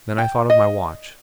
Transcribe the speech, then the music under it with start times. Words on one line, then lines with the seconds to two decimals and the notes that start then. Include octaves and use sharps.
Then I thought of my watch.
0.18 G5
0.50 D#5